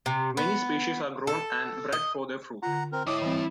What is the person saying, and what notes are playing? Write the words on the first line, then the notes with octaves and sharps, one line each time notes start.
Many species are grown and bred for their fruit.
C3
B3
A4
D#5
D3 F4 F#5 A#5
C4 A#4
E4 C#5 D#5 D6 D#6
E3 G3 C4 D#5 B5